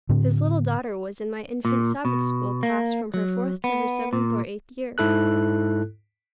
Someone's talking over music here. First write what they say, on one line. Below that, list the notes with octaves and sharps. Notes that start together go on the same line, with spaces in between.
His little daughter was in my infant Sabbath-school class from her fourth to her seventh or eighth year.
A2 D3 C4
A#2
B2
A#3
F#3
B3
A#2
G#2 E4 A4 F#6